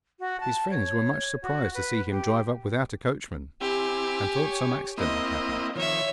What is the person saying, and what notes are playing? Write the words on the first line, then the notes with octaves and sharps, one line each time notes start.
His friends were much surprised to see him drive up without a coachman, and thought some accident had happened.
F#4
A5
C#5
F#4
B4
G4
C4 E4 G4 G#5
C#5
A#3 C4 E4 D#5
D#3 F3 C#5 E5